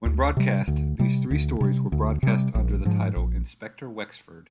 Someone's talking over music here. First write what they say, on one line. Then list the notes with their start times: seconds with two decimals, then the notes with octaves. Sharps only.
When broadcast, these three stories were broadcast under the title "Inspector Wexford".
0.06 D2
0.37 C3 G3
0.68 D2
0.99 C3 G3
1.31 D2
1.61 C3 G3
1.92 D2
2.23 C3 G3
2.55 A#1
2.85 G#2 F3
3.16 A#1